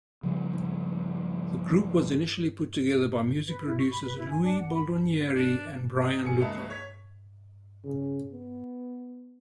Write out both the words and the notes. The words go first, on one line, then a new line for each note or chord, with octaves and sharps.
The group was initially put together by music producers Louis Baldonieri and Brian Lukow.
C#3 F3 G3 A3
B4
E4
C#6
B5
B4
E4
G#5
D4
F#5
B5
D4
D#5
F1 C3 G#5 C#7
C#2 A#3 D#4 B4 E5 A5
C#5 G#6 B6
C#3
B3